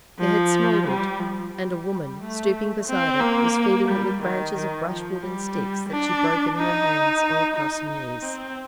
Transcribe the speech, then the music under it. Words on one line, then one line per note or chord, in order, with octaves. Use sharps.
It had smouldered; and a woman, stooping beside it, was feeding it with branches of brushwood and sticks that she broke in her hands or across her knees.
F3
G3
F3
G3
A3
C4
A#3
G3
D#3
D#3
F3
G3
D4
D#4
D#4
D#4
C4